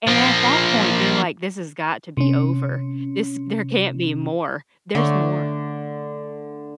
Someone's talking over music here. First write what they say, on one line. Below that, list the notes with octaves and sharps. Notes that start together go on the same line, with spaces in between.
And at that point you're like, "This has got to be over. This there can't be more." There's more.
F3 A#3
C3 C#4
D3 A3 C#5